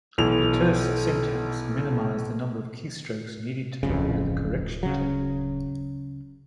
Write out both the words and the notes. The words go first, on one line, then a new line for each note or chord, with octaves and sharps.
The terse syntax minimized the number of keystrokes needed to prepare the correction tape.
B1 E3 F7
D1 A1 F2 C#3 D#4
C#3 F#3